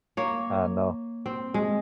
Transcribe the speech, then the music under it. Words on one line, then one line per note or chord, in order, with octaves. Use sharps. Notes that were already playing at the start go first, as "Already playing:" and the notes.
I know.
A#3 C#5
C4
G#3